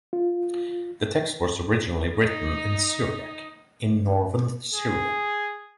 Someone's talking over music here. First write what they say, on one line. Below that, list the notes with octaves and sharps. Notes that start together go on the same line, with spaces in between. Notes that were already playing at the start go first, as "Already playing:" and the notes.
The text was originally written in Syriac in Northern Syria.
F4
D#4
G#4